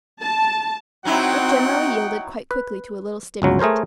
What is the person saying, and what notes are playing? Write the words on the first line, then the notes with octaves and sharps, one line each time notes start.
It generally yielded quite quickly to a little stimulant.
A5
F#3 C4 D#4 E4 F#4 D#5 F#5 G5
B4
G1 C#2 F#3
A3 G#4 A#4 C5 C#5